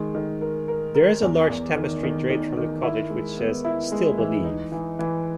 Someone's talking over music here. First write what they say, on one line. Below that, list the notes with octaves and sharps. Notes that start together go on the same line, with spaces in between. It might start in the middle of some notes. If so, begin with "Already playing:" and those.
There is a large tapestry draped from the Cottage which says "Still Believe".
Already playing: D#3 G#3
D#3
A#4
A#4
A#4
E2
E2
D#3
D#3
D#3
D#3
E4
G#3
B3
E4
G#3
E3
D#4
E3
E3